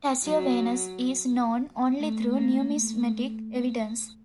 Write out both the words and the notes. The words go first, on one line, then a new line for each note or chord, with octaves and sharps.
Tasciovanus is known only through numismatic evidence.
F#3
A3
A#3
A3